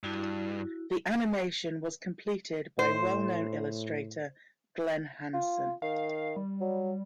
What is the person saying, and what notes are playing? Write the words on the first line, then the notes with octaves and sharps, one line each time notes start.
The animation was completed by well known illustrator, Glen Hanson.
G2 E4 F#4
A2 C5
F4
D#3 F5
G3
F#3